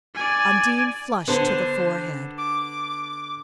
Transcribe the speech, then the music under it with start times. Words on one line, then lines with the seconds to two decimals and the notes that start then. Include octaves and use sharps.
Undine flushed to the forehead.
0.15 D5 G#5
1.28 D3 B3 C5 A5
2.38 D6